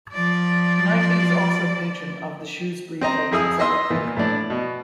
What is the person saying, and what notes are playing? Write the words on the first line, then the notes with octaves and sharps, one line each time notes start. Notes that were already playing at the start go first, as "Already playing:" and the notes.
Knightley is also patron of the Shrewsbury Folk Festival.
F3 D5
C4 D#5 A#5
F2 E4 G#4 G#5 D#6 E6
B3 D#4 D#5 E5 C6 E6
A#2 E3
A2 D4
B2